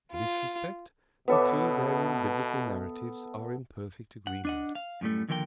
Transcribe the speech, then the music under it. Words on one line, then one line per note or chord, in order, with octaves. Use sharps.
In this respect the two variant Biblical narratives are in perfect agreement.
F4
B2 B3 A4 B4 C#5 E5 D6
F#5
D4 D#5 F#5
F5
F#2 A2 G3 A3
D#2 D3 F3 A#4 E5 G5